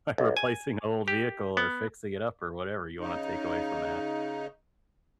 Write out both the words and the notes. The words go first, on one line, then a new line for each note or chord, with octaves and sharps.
replacing an old vehicle or fixing it up or whatever you wanna take away from that.
B1
G#5
G4
B3
C#3 D#4